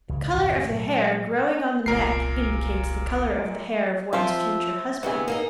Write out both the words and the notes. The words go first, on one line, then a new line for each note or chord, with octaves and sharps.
The color of the hair growing on the neck indicates the color of the hair of one's future husband.
C#2 C#3 E3
G1 E2 A#2 E3
A#2 F#3
E1 C2 A#2 A#4 C7
F3 C4 F4 C5 E5
D2 C3 B3 E4 G#4
A#3 D#4 D#5